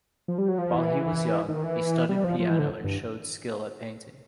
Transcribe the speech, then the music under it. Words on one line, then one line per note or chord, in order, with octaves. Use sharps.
While he was young, he studied piano and showed skill at painting.
F3
G3
F#3
F3
E3
D#3
E3
G3
F3
F3
E3
D3
G2